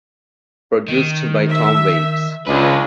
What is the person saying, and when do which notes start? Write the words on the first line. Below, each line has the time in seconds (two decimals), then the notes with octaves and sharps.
Produced by Tom Waits.
0.88 D#3
1.50 E5
2.47 C#2 D4 G#4 B4